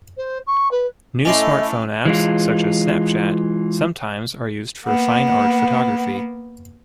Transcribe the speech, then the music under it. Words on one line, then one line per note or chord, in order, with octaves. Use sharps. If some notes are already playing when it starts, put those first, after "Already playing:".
New smartphone apps such as Snapchat sometimes are used for fine-art photography.
C5
C#6
B4
A3 C#4 E4 D5 D#5 C6
E3 G#3 F4
A#3 B3 F#5